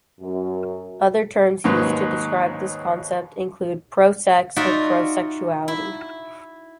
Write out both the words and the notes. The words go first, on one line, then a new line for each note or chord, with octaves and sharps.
Other terms used to describe this concept include "pro-sex", or "pro-sexuality".
F#2
D#2 G#2 F#3 B4
D#4 F4 F#4 D5 E5
E4